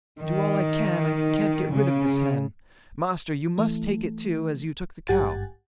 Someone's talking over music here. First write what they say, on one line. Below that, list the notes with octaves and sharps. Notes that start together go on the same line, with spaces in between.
'Do all I can, I can't get rid of this hen, master! you must take it too, as you took the cow.'
D#3
C#3
E3 A3
G#1 G2 G4 F#5 G#5 A6